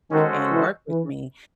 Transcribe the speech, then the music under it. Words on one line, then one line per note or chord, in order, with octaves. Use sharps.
and work with me."
D#3 G#3 C#4 F#4 A4 C5
E3
E3